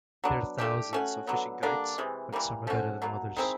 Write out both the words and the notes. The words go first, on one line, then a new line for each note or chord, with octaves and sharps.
There are thousands of fishing guides but some are better than others.
F#3 B3 D4
A3 D4 G4
A3 C#4 F#4
D3 F#3 B3
D3 G3 A#3 D4
C3 E3 G#3
E3 G3 A#3
F3 A3 C#4 F#4
B2 F#3 A#3
D#3 G#3 C4 E4